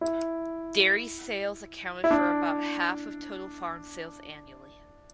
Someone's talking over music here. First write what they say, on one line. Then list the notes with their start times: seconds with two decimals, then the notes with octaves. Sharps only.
Dairy sales accounted for about half of total farm sales annually.
0.01 E4
2.04 E4
2.11 D4